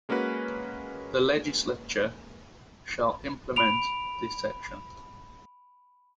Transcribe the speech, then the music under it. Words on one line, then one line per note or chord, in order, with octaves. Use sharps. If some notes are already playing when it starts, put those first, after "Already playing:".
The legislature shall implement this section.
G#3 A#3 C#4 F#4 B4
B5 D7 F7